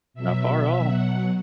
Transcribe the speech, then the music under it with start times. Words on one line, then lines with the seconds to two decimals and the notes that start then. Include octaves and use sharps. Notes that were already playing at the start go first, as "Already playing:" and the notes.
not far at all.
0.14 B2 F#3 E5
0.86 F#5